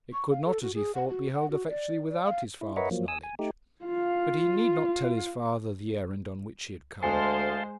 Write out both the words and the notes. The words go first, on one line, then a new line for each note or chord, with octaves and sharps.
It could not, as he thought, be hurled effectually without his father's knowledge; but he need not tell his father the errand on which he had come.
C#6
F5
A4
F#4
G#4
F#5
F#4
F#5
F#4
D5
D5
F5
E4
A#4 B4 C#5 D#5 E5 F#5
F3 F#3 A#3
G#5 D#6 E6
G#5
A3 D#4 G4
F4 F5
D2 G#3 C5 F5 G#5 A5 C6